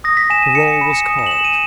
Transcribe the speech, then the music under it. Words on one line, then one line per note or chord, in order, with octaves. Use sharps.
The roll was called.
D#6 A#6
B6
G#5 E7
D#7
G#5 C#7
C#7
B5 E7
C#7
D#6 E7
E7
F#7
G#5 E7
D#7